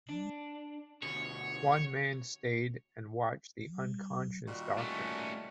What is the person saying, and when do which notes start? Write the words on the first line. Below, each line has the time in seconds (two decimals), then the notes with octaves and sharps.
One man stayed and watched the unconscious doctor.
0.09 D4
1.03 D2 B2 C#5
4.48 A#2 D#3 G3 F#4
4.78 A3 C#4